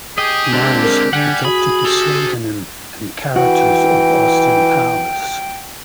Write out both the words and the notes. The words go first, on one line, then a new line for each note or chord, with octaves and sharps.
Myers adopted the pseudonym and character of Austin Powers.
G4 G#4 D#5 G5
D3 G#3 A#3 C4 D4
A#4
D3 G3 F#5 G#5
F#4 G#4 B5
G4 A4 C5
E3 F#4 G5